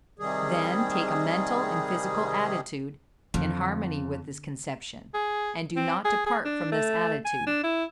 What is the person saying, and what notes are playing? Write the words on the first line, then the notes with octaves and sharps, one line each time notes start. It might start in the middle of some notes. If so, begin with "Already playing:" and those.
Then take a mental and physical attitude in harmony with this conception; and do not depart from this attitude.
C3 D#3 G3 G#4
F2 D3
G#4
C4
G#4
G#4
D4
A3
G#5
D4
E4